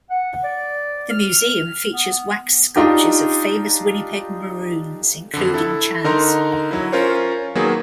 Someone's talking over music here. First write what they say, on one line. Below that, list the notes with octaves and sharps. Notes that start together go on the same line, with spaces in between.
The museum features wax sculptures of famous Winnipeg Maroons, including Chas.
F#5
D5
F6
B3
D4 D#4 F4 G4
F2 D3
E4 A4
D3 D#4 A#4 A#5 C6
F#3 E4
C#4 F4 A#4 C5 C#5
D#3 F#3 A#3 B3 G#4